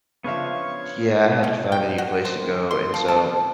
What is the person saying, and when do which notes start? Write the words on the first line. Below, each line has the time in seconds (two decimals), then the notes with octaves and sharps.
yeah, I had to find a new place to go, and so
0.24 C#3 F3 B3 D4 C#5 E5 F5 C#6
1.44 C#4
1.72 G5
1.98 F#4
2.25 C5
2.71 C6
2.94 F3
3.08 A5